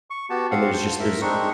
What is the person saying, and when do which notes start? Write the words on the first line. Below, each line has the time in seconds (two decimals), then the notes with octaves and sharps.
And there's just there's
0.10 C#6
0.30 B3 F#4 G4 A5
0.51 C4 F5 F#5
0.73 C5 A5
0.99 A#4 E5
1.22 G#3 C4 D4 D#4 C#6